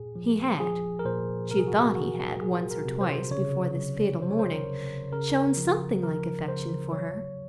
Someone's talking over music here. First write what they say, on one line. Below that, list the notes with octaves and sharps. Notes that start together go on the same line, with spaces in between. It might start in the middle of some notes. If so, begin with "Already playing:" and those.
He had--she thought he had, once or twice before this fatal morning, shown something like affection for her.
Already playing: A#2 G#4
F3
F3 G#4
A#4
A#2 C5
C3 A#4
G#4
F#4
G#4
F#3 F#4
F#3 G#4
A#4
C3
C5
C#3 C#5
F#3
F#3 C5
C#5
C5
A#4
C#3
C#3 A#4
F3
F3 A#4
C#3 C5
F#3 C#5